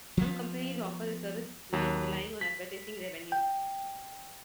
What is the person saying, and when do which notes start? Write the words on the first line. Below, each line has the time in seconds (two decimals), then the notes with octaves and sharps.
Some companies offer the service for free, relying on advertising revenue.
0.17 F3 G3 A3 B3
1.73 D#2 F#3
2.41 B6
3.32 G5